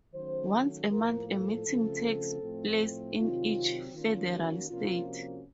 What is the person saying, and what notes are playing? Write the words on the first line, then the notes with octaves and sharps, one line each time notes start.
Once a month a meeting takes place in each federal state.
D#3 F#3 A3 C#4 C5
A2 F3 A#3 A#4
A4
C#3 F3 A3 C4
A2 F3 A3 C4
C3 D#3 F#3 C4 F4
D#3 A#3 C#4 F4
F#4
C3 F3 A#3 C#4 F4
F#4